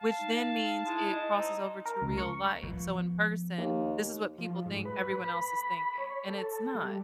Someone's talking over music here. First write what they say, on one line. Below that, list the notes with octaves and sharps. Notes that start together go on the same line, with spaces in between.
which then means it crosses over to real life. So in person, this is what people think everyone else is thinking, and it's not,
F5 A5
D#4
G#3 E4 A5
D#5
C4 D#4
A#4
C#2
C#6
F3 B3
D#2
F3
G#2
B4
B5
C#5
A4
G3